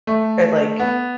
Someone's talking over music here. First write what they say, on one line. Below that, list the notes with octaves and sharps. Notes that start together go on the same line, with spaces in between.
uh, like,
A3
B3